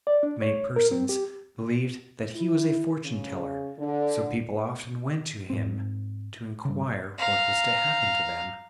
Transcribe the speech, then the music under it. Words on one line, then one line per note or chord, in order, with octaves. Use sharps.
Many persons believed that he was a fortune-teller, so people often went to him to inquire what was to happen to them.
D5
D4
C#5
A#4
C4
G4
E4
C#3
D3
G#2 C4
G2 C#3
F5 A#5